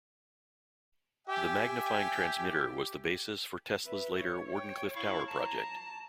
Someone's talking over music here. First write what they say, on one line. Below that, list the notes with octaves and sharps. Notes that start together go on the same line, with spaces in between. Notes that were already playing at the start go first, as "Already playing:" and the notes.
The magnifying transmitter was the basis for Tesla's later Wardenclyffe Tower project.
G4 E5 G5 G#5
G4
B4 E5
C#5
G5
E4 F5 C#6
A5 A#5